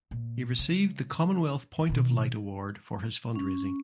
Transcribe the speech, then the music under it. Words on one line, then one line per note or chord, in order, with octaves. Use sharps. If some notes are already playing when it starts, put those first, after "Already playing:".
He received the Commonwealth Point of Light award for his fundraising.
A#2
C#3
B2 D#3
C#4